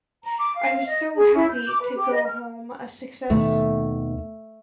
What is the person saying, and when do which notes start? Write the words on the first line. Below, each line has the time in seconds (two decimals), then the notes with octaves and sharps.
I was so happy to go home a success.
0.23 A#5
0.37 D6
0.56 F5
0.87 D#5
1.15 G#4
1.34 E4
1.49 G6
1.68 D6
1.80 B4
1.95 G4
2.12 D#5
2.25 F6
3.30 D#2 B2 D#3 A3